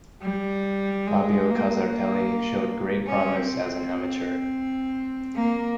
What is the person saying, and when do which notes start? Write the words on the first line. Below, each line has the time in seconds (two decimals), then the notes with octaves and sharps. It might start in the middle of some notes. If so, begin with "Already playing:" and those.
Fabio Casartelli showed great promise as an amateur.
0.22 G3
1.07 G#3
1.50 A#3
3.07 C#4
3.36 C4
3.64 C4
5.35 A#3